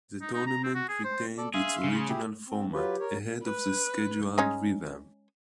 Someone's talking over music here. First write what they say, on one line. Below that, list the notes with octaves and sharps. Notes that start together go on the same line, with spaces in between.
The tournament retained its original format ahead of the scheduled revamp.
D#4
D#4
A#5
C4
F#4
G#4
C5
A4 D5
G#4 E5 F5 C6
C#3
G#4 C6
E4 G4 G#4
C4
F#3 F4 G4 B4
A#4 C#5
B4
G#3 C#4 D#4